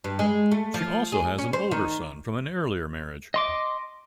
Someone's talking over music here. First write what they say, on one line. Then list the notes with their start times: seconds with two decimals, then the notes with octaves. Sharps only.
She also has an older son from an earlier marriage.
0.04 G2
0.19 G#3
0.51 A3
0.74 F3
1.12 G#4
1.38 C#4
1.53 C5
1.71 D#3
3.34 D#5 C6 D6